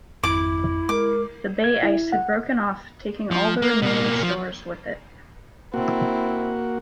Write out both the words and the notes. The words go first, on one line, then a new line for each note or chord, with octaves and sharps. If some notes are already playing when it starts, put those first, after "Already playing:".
The bay ice had broken off taking all the remaining stores with it.
G#1 F2 E4 D6
G#3 A#4 D6
G#6
E4
F#5
F3
A#3
B2 A#3
F3
A#3 C4 E4 F#4